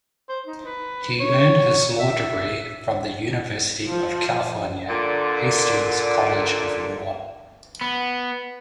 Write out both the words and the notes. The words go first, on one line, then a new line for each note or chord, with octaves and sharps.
He earned his law degree from the University of California, Hastings College of Law.
C5
D#4
B4
C#5
E5
F3
A#2 D3
B3